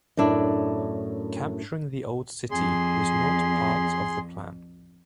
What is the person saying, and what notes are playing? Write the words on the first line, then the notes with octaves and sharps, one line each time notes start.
Capturing the Old City was not part of the plan.
F#2 A2 D4 E4
F2 G#4 C6